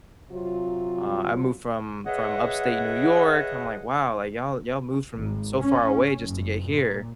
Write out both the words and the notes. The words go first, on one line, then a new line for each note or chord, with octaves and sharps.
uh, I moved from from Upstate New York." I'm like, "Wow, like, y'all y'all moved from so far away just to get here."
C3 F#3 F4
G#4 B4 C#5 D#5 E5 F#5
G#1
C#4
F#1
A#2